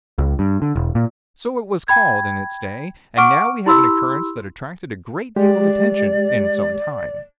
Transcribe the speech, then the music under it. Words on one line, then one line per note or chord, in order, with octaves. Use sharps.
So it was called, in its day, and now we have an occurrence that attracted a great deal of attention in its own time.
C#2
G2
D3
E1
A#2
G5 B5 G#6
F#5 C#6 D6 F6 D7
E4 G4 B5 C6 E6
G#3 G4 D5